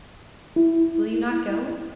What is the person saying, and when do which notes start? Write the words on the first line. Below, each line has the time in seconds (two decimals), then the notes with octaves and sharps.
'Will you not go?
0.56 E4